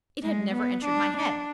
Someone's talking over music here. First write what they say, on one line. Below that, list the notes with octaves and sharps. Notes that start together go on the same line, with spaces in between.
It had never entered my head.
G#3
B3
D4
D4